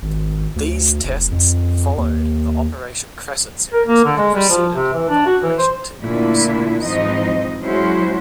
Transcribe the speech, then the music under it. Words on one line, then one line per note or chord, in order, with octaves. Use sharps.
These tests followed the "Operation Cresset" series and preceded the "Operation Tinderbox" series.
G#1
D2
F1
F2
D#2
A#4
A#3
D3
G#3
G3
F3
C3
E3
D4
F#4
E3
C5
A#2 D3 A3 E4
G#2 E3 F3 C4 D#4 D#5
F#3 G#3 C#4 E4 F#4 C5